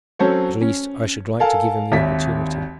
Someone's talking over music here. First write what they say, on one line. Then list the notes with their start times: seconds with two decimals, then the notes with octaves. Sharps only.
At least, I should like to give him the opportunity.
0.19 F#3 C4 C#4 A4 C5 C#5
0.61 C#4
1.40 A4 A#4 F5 G#5 A5
1.92 G#1 D#2 E5 B6